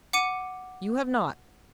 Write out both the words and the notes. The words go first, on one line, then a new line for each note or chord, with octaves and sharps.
You have not.
F#5 D6 C#7 D#7